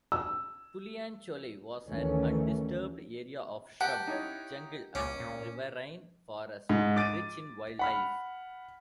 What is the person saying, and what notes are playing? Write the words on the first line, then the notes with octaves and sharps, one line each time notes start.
Puliancholai was an undisturbed area of shrub jungle and riverine forests rich in wildlife.
E6
D2 D#3 E3 A3 C#4
G4 F#5 A5
D#4 E4 C#5
C#2 C#4 D6
A#2
G#2
D6 A6 D7 D#7
F#5 B5 F6